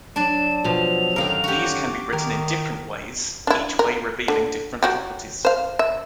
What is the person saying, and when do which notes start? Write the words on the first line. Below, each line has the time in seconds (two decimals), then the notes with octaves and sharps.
These can be written in different ways, each way revealing different properties.
0.16 F#3 D4 D5 E7
0.64 B2 F3 F7
1.16 F#2 D3 D#3 A#4 F5
1.44 F#4 G4
1.62 D6
2.13 D#3 A#4
3.47 D4 E4
3.79 A#4
4.28 D3
4.83 F#3 F#4 G4
5.45 C5 F5
5.79 E5